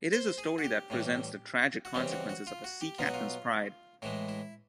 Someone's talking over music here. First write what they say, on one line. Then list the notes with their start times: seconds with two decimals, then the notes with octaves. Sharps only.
It is a story that presents the tragic consequences of a sea captain's pride.
0.13 C5
0.38 G#4
0.58 F#4
0.64 G4
0.90 A2 E3 G3
1.85 F#4
1.94 C#3 E3 G3 C4 G4
2.12 F#4
2.29 F#4
2.47 F4
2.64 F#4
2.81 G4
2.98 B2 F#3 B3 F4
3.06 F#4
3.14 F4
4.02 A2 E3 G#3 E4
4.29 E4